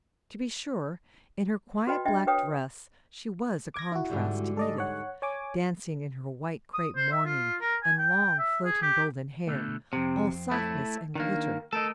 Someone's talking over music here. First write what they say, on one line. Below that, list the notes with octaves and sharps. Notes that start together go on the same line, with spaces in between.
To be sure, in her quiet black dress, she was a contrast to Edith, dancing in her white crape mourning, and long floating golden hair, all softness and glitter.
F#4 B4 D#5 G5 B5
D4 D#5 E5 G5
B4 C#5 G5 D#6
D6 G#6 A#6
E4 F#4
G#2 D3 G3
A4 D5 D#5
C#5 F#5
C#5 G#5 D6
D#6
C5
E5
F4
A#4
G#5
G5
E5
G#4
G4
B2 D3 A3
F2 C3 C4
A3 E4
D#3 A#3 D4
A3 A4 A#4 D#5